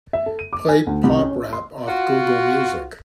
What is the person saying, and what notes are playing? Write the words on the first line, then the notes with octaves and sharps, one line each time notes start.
Play pop-rap off Google Music.
E5
A4
D#7
D6
G#5
D2
C2
C#4
C#5
C6
F4 F#4